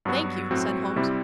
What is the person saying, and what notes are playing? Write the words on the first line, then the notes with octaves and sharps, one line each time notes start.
"Thank you," said Holmes.
G2 F#3 B3 F#4
A2 F#3 C4 F#4
C3 G3 C4 E4